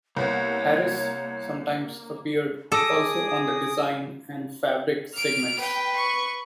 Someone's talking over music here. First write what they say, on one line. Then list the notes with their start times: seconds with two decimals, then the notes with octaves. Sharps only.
Harris sometimes appeared also on the design and fabric segments.
0.17 C2 A#3 B3 C#5
2.72 G#4 A4 D6 D#6 A#6 D7
5.14 F6 D7
5.59 B4 G5
5.96 C#6